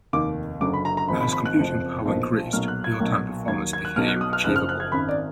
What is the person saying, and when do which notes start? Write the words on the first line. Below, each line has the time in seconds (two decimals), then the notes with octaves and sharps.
As computing power increased, real-time performance became achievable.
0.13 F1 D#2 D#3 D6
0.61 F#1 F#2 D3 F#3 D6
0.74 B5
0.85 A#5
0.97 A#5
1.08 G#1 G#2 F3 B5
1.21 B5
1.32 B5
1.46 F#6
1.57 F#1 F2 F3
2.05 B1 A#2 F3
2.53 B1 A#2 F#3 F6
2.68 F#6
2.84 G#6
3.00 B1 A#2 F#3
3.48 D#2 D#3 F#3 G#6
3.73 G#6
3.85 F#6
3.96 B1 B2 F#3 F6
4.08 F#6
4.21 D#6
4.33 F6
4.44 F#1 F#2 F3 F#6
4.56 F6
4.69 F#6
4.80 G#6
4.92 G#1 F#2 D#3 B5
5.09 D5